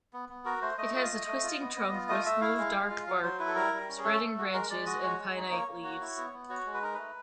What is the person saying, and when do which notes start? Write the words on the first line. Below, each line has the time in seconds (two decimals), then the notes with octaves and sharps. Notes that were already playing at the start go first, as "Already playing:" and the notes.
It has a twisting trunk with smooth dark bark, spreading branches and pinnate leaves.
0.13 B3
0.29 B3
0.45 F#4 A#4
0.62 A3 C5
0.78 A3 D#5
0.95 F4 D#5
1.11 A3
1.27 A3
1.43 F4
1.60 B3
1.76 B3
1.92 F4
2.09 A3 D#5
2.25 A3 E5
2.41 E4 F5
2.58 G#3 F5
2.74 G#3
2.90 F4
3.07 F#3 F5
3.22 F#3 C5
3.39 E4 B4
3.48 A4
3.56 G3 A#4
3.72 G3
3.89 C#4
3.98 G#4
4.04 A3 A4
4.21 A3
4.38 F#4
4.53 G#3 A#4
4.70 G#3 D5
4.86 F#4 D#5
5.02 G#3 C#5
5.19 G#3
5.36 D#4
5.51 A#3
5.68 A#3
5.84 F#4
6.01 E4
6.17 B3
6.33 B3
6.49 F#4 C#5
6.66 G#3
6.74 B4
6.82 D#4 A#4
6.94 A3 B4